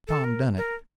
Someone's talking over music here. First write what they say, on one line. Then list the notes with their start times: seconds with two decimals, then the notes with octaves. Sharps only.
Tom done it.
0.08 A4
0.24 A#4
0.57 A#4